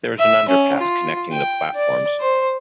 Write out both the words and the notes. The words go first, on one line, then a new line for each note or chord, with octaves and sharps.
There is an underpass connecting the platforms.
E5
C#4
F4
G5
D5
C5